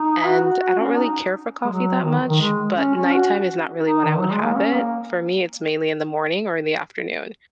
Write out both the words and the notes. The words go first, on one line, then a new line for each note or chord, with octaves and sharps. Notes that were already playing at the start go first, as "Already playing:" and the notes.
and I don't really care for coffee that much, but nighttime is not really when I would have it. For me, it's mainly in the morning or in the afternoon,
Already playing: D#4
F#4
F#4
F#4
C#4
D#4
G#3
F#3
D#3
D#3
G#3
C#4
C#4
F#4
D#4
D#3
F#3
G#3
A#3
C#4
A#3